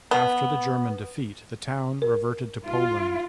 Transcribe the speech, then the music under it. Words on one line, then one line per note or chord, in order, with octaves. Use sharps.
After the German defeat, the town reverted to Poland.
B3
A#4
F4